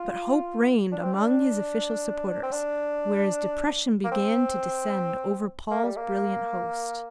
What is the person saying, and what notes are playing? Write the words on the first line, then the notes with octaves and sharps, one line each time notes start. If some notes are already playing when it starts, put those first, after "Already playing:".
But hope reigned among his official supporters, whereas depression began to descend over Paul's brilliant host.
Already playing: F4
D4
C4
D4
C4
D4
A#3
C4
A#3
G3
A#3